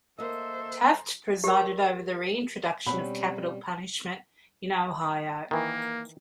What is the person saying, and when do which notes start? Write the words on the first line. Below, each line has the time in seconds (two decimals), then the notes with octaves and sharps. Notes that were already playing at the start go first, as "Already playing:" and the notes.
Taft presided over the reintroduction of capital punishment in Ohio.
0.18 A#3 A4 C5 D#5 E5
1.44 G4 A#4
2.86 B2 G3 C4 C#4 B5
5.51 D#3 E3 A#3